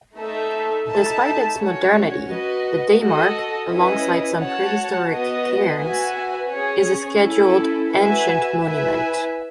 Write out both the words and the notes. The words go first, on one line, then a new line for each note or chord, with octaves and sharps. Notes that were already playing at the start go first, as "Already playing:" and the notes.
Despite its modernity, the daymark, alongside some prehistoric cairns, is a Scheduled Ancient Monument.
A3 D#4 A4 E5
D#4 A4 E5 A5
C#4 F#4 C#5
F#4 B4 D#5
F#4 A4 D#5
C#4 E4 B4 D#5
F#4 C#5 F#5 A5
B3 F#4 B4 D#5
F#4 B4 E5 G#5
C#4 G#4 C#5
C#4 E4 A4
F#4 B4 E5 G#5
E4 B4 E5 G#5